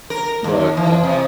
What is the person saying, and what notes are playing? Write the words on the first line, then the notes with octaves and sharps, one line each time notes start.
but, uh
A#4
D#2
E3
C3